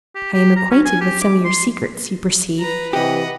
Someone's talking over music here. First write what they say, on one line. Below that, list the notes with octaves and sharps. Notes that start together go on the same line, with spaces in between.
I am acquainted with some of your secrets, you perceive.
G4
G4
A#5
C#4
G#5
G4
D6
C6
B4 A#5
C3 E3 G4 D#5 F#5